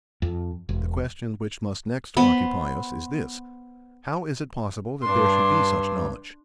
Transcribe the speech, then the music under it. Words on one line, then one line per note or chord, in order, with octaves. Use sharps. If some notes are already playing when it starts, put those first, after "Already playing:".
The question which must next occupy us is this: How is it possible that there should be such knowledge?
F2
E1
B3 B4 C5 B5
G2 D4 C6